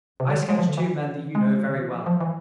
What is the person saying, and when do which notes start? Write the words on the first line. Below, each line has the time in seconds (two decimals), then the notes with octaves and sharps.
I sketch two men that you know very well.
0.20 C3
0.29 D3
0.49 G#3
0.58 F3
0.68 D3
0.78 E3
1.35 G#3
1.66 D3
1.79 E3
1.92 F3
2.06 F3
2.21 E3